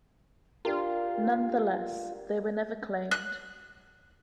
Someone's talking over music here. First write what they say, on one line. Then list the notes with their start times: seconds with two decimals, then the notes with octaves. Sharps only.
Nonetheless, they were never claimed.
0.65 D4 F4 G4 A#4
3.11 F#6